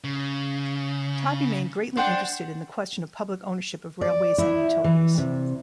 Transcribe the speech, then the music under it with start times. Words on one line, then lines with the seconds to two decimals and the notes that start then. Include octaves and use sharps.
Todd remained greatly interested in the question of public ownership of railways and utilities.
0.04 C#3
1.97 D4 C5 F#5 G5
4.01 D5
4.38 E4
4.84 E3
5.18 C3